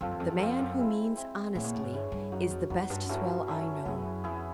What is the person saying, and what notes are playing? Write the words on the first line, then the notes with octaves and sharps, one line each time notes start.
The man who means honestly is the best swell I know.
F#2 C4 F4 A4
E2
F2
E2
F2 C4 F4 A4
F#2
G#3 C4 E4
G#3 C4 E4
A2 B3 E4 G#4 C#5
A#2
A2
G#2
G2 B3 E4 G#4 C#5
G2
F#2 B3 D#4 F#4
F2
F2 B3 D#4 F#4
G2
F#2
G2 F#3 A3 C#4 E4
F#3 A3 C#4 E4
F#2 B3 E4 G#4
F2 B3 E4 G#4